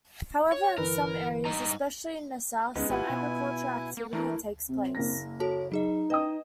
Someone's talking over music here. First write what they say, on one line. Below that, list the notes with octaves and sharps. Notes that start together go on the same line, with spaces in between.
However in some areas, especially in the south, some agricultural activity takes place.
C#5
G1 E3 A#4 B4
G2 D#4 A#5
D2 G#3 B3 C#4 D#4
G#1 E4 F4 G4 B4 F#5 G#5
B2 B3
A#3
E3 A3 D4 E4 A#4
C3 C4
F#1 A#3 A#6
F#4 A4 C#5 A5
F#3 D#4 G#4 D#5
B4 D#5 G5 D#6